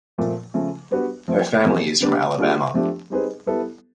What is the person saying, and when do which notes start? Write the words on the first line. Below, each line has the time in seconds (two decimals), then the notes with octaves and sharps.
Her family is from Alabama.
0.18 A#2 F3 A3 C4
0.54 C#3 F3 A3
0.91 G3 B3 D4 F#4 B4
1.28 F3 A3 C4
1.64 E2 C3 F3 A#3
2.01 D3 G3 B3 D4 G4
2.37 G3 A#3 D4 F4 G#4
2.74 F3 A3 D4 G4
3.10 G3 C4 D#4 G#4 B4
3.46 G3 B3 E4 A4